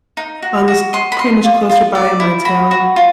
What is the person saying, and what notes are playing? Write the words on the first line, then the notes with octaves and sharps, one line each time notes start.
Um, it's pretty much closer by in my town.
D#4
F#4
F#4
D#5 C6
B5
D#5 C6
F4
F4
D5
E4
F#4 B5
F#4
F4